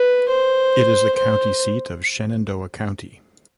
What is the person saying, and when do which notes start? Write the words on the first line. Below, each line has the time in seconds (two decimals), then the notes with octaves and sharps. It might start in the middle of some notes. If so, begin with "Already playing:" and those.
It is the county seat of Shenandoah County.
Already playing: B4
0.28 C5
1.16 C5